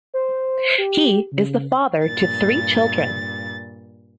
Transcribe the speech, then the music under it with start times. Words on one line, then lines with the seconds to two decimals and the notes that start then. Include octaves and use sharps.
He is the father to three children.
0.14 C5
0.78 G4
1.32 C#3
2.06 G2 A#2 A6